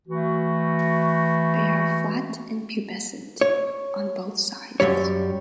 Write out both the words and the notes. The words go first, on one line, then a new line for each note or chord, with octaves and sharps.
They are flat and pubescent on both sides.
E3 A3 F#4
C#5
F#2 C3 G3 C#5